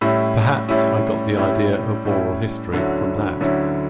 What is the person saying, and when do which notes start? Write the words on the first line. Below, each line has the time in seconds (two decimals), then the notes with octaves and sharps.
Perhaps I got the idea of oral history from that.
0.01 A2 G3 C#4 E4
0.69 A2 G3 C#4 E4
1.37 A2 G3 C#4 E4
2.05 A2 G3 C#4 E4
2.73 D2 D3 F#3 C#4 E4
3.41 D2 D3 F#3 C#4 E4